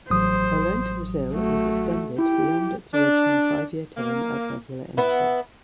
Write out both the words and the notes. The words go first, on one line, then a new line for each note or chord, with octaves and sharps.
Her loan to Brazil was extended beyond its original five-year term at regular intervals.
A1 F#3 C5 D#6
A3 F#4
E4 G4
D4
A#3
B3 E4